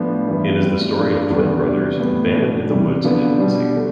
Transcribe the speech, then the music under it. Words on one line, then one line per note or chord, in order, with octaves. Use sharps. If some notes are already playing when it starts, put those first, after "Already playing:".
It is the story of twin brothers, abandoned in the woods in infancy.
Already playing: A2 F3 B3 D4
G2 E3 B3 E4
A2 G3 C4
G2 F3 A3 D4
E2 D3 G3 B3
C3 E3 G3 B3 D4
A2 E3 B3
B2 A3 D4
C3 E3 G3
D3 F3 B3 D4
B2 G3 D4
D3 A3